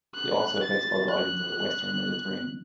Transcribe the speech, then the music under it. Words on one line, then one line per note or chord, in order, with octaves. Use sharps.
It also affects other islands of the Western Mediterranean.
F#6
A6
F#6